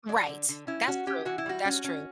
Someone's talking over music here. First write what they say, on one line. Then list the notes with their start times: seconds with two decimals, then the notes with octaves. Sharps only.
Right, that's true, that's true,
0.09 F#3 D5
0.29 D3
0.49 D3
0.67 C#4 E4
0.87 C#4 F#4
1.07 C#4 G4
1.25 E3 F#4
1.38 E4
1.46 G3 F#4
1.65 C#4
1.84 C#4